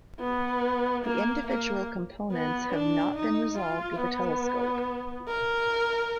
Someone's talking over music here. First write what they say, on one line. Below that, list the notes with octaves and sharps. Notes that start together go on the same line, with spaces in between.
The individual components have not been resolved with a telescope.
B3
A#3
A#3
B3
D4
D#4
F4
B3
A#4